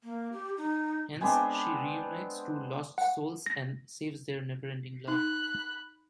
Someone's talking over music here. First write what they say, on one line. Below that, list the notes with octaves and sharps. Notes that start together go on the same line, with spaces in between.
Hence, she re-unites two lost souls and saves their never ending love.
A#3
G4
D#4
G#3 B3 C4 D4
F#5
A#6
D#4 B5 F#6